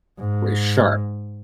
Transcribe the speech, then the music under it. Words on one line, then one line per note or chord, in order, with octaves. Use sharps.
very sharp.
G#2